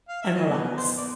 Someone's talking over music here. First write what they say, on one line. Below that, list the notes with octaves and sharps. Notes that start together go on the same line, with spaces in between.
and relax."
F5
E5
D#5
B3 D5
C5
D5